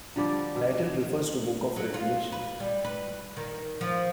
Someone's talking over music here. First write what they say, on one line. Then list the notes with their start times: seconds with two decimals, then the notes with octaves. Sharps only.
Title refers to Book of Revelation.
0.16 D3 F3 G3 D5
0.56 B2
1.76 F#3
1.94 F4
2.32 B4
2.60 G3
2.84 B4
3.37 D#3
3.81 F3